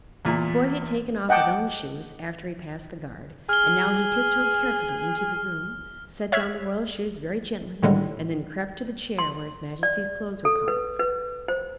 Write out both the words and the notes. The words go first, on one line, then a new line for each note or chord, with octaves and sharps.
The boy had taken off his own shoes after he passed the guard and now he tiptoed carefully into the room, set down the royal shoes very gently and then crept to the chair where his Majesty's clothes were piled.
E2 A#2
D#5 F#5 G5 A5 D6
G#4 F6 G7
C#5 E5 F6 F#6 G#6 B6
A2 D3 D#3 G3 G#3
C6
D5
A4
B4
B4
C5